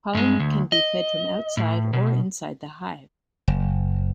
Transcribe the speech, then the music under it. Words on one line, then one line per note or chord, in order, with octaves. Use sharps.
Pollen can be fed from outside or inside the hive.
G2 G#3
D2
D#5
A2
B2
F#1